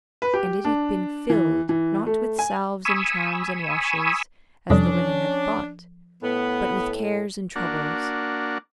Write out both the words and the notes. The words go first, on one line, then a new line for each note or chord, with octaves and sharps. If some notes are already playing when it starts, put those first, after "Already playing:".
And it had been filled, not with salves and charms and washes, as the women had thought, but with Cares and Troubles.
B4
G4
D4
E3
E3
A3
G#5
G#5 B5 C#6 D#6 E6
F2 C3 F3 G3 C#4 D4 A4 C#5
A2 B3
A#3 D4 F#4